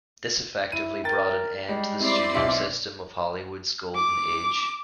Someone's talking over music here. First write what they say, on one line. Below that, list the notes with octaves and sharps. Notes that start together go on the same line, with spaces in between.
This effectively brought an end to the studio system of Hollywood's Golden Age.
E4 D#7
A#4 G5 A6
G3 G#3 G4
C4 E4 D5 C6
B1 E5 B6
D6